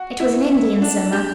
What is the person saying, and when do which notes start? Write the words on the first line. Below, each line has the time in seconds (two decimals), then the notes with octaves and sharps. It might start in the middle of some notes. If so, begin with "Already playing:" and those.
It was Indian Summer.
Already playing: F#4
0.20 E4
0.82 D4
1.13 G4